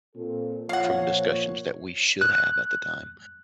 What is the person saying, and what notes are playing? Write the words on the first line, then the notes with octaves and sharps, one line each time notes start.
from discussions that we should have at the time
A#2 C4 A4
A#2 F3 C#5 F5 F#5
F#6